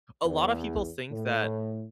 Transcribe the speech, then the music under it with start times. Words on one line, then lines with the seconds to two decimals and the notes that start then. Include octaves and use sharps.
a lot of people think that
0.25 E2
1.11 A2